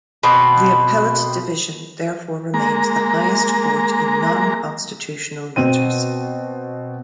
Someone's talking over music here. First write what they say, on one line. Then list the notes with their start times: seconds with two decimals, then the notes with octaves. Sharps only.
The Appellate Division therefore remained the highest court in non-constitutional matters.
0.23 B2 C4
2.54 G#3 A#3 A#5
5.56 B2 C4 D#7